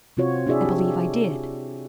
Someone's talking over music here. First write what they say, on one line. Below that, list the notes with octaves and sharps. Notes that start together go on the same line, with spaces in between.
"I believe I did."
C3 C4 F4 F#4 C#5
D4 E4 F#4 G#4 D5 E5
G4